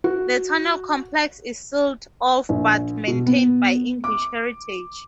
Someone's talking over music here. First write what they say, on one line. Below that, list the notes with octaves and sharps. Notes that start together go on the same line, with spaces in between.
The tunnel complex is sealed off but maintained by English Heritage.
F#4
A#1
B2
B3
D6